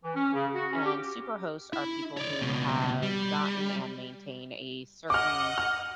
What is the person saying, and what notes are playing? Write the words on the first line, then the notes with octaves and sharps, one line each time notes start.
and super hosts are people who have gotten and maintain a certain,
E3
C#4
C#3
F#4
C#4
G4
E4
C#5 D5
C#2 B2
G3
D#5 F#5 D6 F6
F6